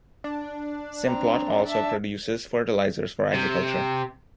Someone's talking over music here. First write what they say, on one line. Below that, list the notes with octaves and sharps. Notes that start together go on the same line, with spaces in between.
Simplot also produces fertilizers for agriculture.
D4
C4 A#5
E5 A5
C3